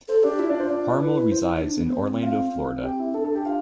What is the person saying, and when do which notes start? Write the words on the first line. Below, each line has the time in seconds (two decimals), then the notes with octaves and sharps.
Harmel resides in Orlando, Florida.
0.08 A4 C5
0.23 D4 G4 D5
0.39 E4 F4 E5
0.49 D4 D5
0.59 C5
0.70 D4 D5
1.00 E4 B4
1.31 C5
1.56 E4
1.62 D4
1.77 B3
1.92 C4 C5
2.22 F4 F5
2.53 C4
2.83 G4 G5
2.99 E4 E5
3.14 D4 A4 A5
3.24 A4 A5
3.35 G4 G5
3.45 F4 F5